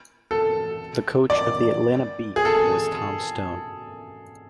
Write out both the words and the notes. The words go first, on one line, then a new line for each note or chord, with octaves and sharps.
The coach of the Atlanta Beat was Tom Stone.
A4
D5
G#4
A4